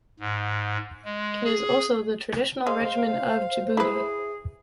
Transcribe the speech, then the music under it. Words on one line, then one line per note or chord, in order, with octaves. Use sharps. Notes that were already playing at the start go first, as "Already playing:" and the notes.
It is also the traditional regiment of Djibouti.
G#2
G#3
G#4
G#3 C5 F5
E4 G#4 B4